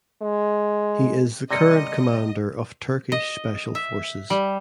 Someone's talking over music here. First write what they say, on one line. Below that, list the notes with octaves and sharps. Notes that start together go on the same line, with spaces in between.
He is the current commander of Turkish Special Forces.
G#3
C3 G3 D5 D#5 A#6 C#7
D#5
E5
G3